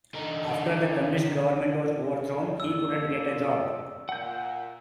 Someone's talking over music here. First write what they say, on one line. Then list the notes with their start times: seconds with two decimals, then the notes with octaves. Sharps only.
After the Communist government was overthrown he couldn't get a job.
0.14 D3 D#4
2.60 F3 A#3 D5 E6
4.09 A#2 F#5 G6